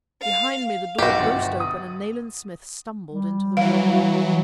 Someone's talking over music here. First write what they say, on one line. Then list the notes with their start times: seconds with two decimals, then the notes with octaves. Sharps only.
Behind me the door burst open and Nayland Smith stumbled into the room.
0.21 F5
0.98 B1 F#4 G4
1.19 G1 A6
1.60 D#6
3.12 G3
3.57 E3 F#3 F5